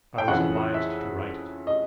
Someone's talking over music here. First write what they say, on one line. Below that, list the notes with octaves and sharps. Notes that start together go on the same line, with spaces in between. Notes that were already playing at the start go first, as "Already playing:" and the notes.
I was obliged to write it.
G5
F2 C#3 E3 F#5
E5
D#5